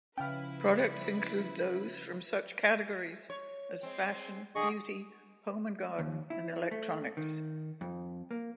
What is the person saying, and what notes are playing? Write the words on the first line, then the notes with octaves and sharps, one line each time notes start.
Products include those from such categories as fashion, beauty, home and garden, and electronics.
C#3 F3 C#4 E4 B4 F5 G5
C#5
G#3 C4
D3 G3 G#4 D#5 C#6
D#2
E4
A3
D#3
F2
A#3